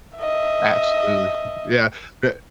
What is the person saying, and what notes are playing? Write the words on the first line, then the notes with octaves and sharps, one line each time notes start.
Absolutely, yeah, bu
D#5 E5